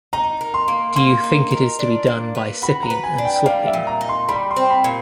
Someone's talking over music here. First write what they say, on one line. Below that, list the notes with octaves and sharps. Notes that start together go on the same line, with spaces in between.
Do you think it is to be done by sipping and slopping?
D#4 A#5
A#4
C6
A#3
A#3 C6
D#4
A#4
D4
A#3
B4
F#4 B5
A#5
B4
G#5
D4
G5
G3 F5
E5
A#2
A#5
D#4
C6
G3 B5
C6
C4
B5
A#2